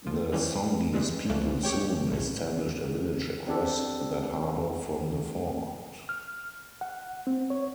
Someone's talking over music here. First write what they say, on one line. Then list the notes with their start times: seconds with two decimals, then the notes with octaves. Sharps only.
The Songhees people soon established a village across the harbour from the fort.
0.07 F3
0.32 F2 E3 F3 G3 C#4
0.93 G2 A#2 E3 G3 G#3
1.30 C#2 D3 E3 F3 A3
1.63 G4 C#5 G5
2.12 B1 A2
3.47 C4 D4 G4 A4
6.09 F6
6.81 F#5
7.27 C4
7.50 C#5